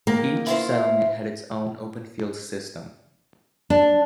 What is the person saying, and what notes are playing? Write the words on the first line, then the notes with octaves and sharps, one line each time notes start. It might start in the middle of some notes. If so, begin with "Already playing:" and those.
Each settlement had its own open field system.
D#3 A#3
E4 F4 C5
D4